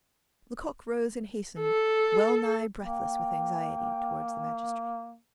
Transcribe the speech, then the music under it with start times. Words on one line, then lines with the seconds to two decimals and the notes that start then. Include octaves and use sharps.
Lecoq rose and hastened, well-nigh breathless with anxiety, toward the magistrate.
1.61 A4
2.81 A#3 G5